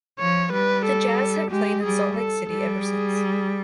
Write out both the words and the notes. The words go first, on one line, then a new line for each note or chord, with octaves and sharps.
The Jazz have played in Salt Lake City ever since.
F3 C#5
G3 B4
A4
G#3 G4
G3 G#4
A4
G3 A4
G#4